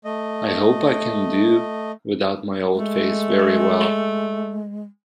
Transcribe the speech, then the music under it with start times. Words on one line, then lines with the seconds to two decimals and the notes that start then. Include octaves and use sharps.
I hope I can do without my old face very well.
0.05 A3 D#5
2.75 G#3 A3